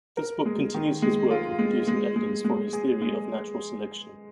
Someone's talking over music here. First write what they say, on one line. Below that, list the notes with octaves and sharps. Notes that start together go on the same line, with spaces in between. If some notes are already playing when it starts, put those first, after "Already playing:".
This book continues his work in producing evidence for his theory of natural selection.
A#4
G#3
D#3
G#3
F4
G#3
G#3
G#3
G#3
G#4
G#3